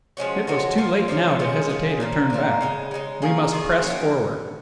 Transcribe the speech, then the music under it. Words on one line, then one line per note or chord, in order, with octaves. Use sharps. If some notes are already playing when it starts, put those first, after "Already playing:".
It was too late now to hesitate or turn back; we must press forward.
F3 G#3 C#4 F#4
F3 G#3 C#4 F#4
F3 A#3 C#4 F4
F3 A#3 C#4 F4
G#3 C#4 F4 G#4
G#3 C#4 F4 G#4
A#2 F3 A#3
A#2 F3 A#3
C#3 G#3 D#4
C#3 G#3 D#4
D#3 A#3 F4 G#4
D#3 A#3 F4 G#4
F#3 A#3 C#4